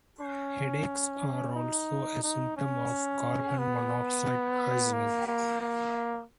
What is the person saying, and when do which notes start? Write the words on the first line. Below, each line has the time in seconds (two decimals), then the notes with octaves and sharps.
Headaches are also a symptom of carbon monoxide poisoning.
0.20 C#4
1.55 D#4
2.23 D#4
2.57 C#4
3.58 B3
4.93 A#3
5.27 A#3
5.61 A#3